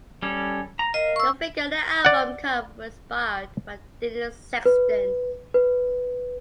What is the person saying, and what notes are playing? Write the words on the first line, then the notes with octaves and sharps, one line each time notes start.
The figure on the album cover was inspired by Denise Sexton.
G3 C#4 A4
A#5
A#4 D#5 F5
C#6 E6
D5 F#5
B4
B4